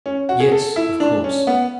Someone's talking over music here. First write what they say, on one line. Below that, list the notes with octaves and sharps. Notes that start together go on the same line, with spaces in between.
"Yes; of course."
C#4
F#4
G#4
A4
E4
D4
C#4
B3